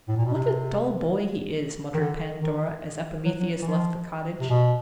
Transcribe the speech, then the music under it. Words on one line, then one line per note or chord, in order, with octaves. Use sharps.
"What a dull boy he is!" muttered Pandora, as Epimetheus left the cottage.
A2
A#2
B2
C3
D#3
D3
D#3
F#3
F#3
E3
F3
C3
B2